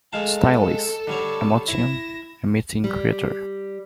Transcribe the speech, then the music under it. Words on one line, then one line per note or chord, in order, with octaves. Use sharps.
Stylist, emotion emitting creator.
G#3 A4 F5 A5
D3 G3 C#5
E4 A#6 E7
G3